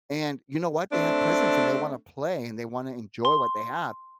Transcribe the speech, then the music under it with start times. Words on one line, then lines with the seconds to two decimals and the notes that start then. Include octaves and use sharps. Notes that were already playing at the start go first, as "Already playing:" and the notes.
and you know what, they have presents, and they wanna play, and they wanna enjoy what they have.
0.91 A3 C4 D4
3.25 C6